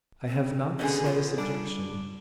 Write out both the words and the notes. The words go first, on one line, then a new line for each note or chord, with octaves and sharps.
I have not the slightest objection.
C4
B2 D3 C#4 G#4
F4
G3 D4